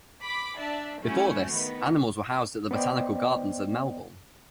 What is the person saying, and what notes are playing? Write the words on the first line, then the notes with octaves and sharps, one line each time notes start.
Before this, animals were housed at the botanical gardens in Melbourne.
B5 D6 B6
D4 D5 E5 A5
G3 A3 C#4 E4 F#4
D#3 B3
B3 C5 D5 D#5 G5